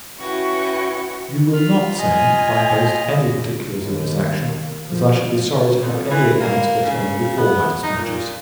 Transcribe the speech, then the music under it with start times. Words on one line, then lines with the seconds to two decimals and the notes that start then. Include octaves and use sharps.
You will not send, by post, any particulars of this action, as I should be sorry to have any accounts get home before my dispatches.
0.20 C#4 E4 F#4 B4 G5 C#6
1.53 F4 B5 F6
1.99 D#5 G#5
3.80 D#2
4.86 F3
5.81 F2
6.10 E3
6.40 A#3
6.84 C#3
7.37 B3
7.83 D#4
7.97 A#2